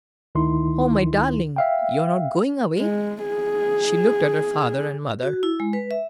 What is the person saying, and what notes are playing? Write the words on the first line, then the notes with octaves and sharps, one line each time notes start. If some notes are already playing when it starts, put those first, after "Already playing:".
"Oh, my darling, you're not going away!" She looked at her father and mother.
D2 D#3 D#4 E4 C6
E5 F5 G5
G#3
G#4
F#4
E4
G#3
B4
E5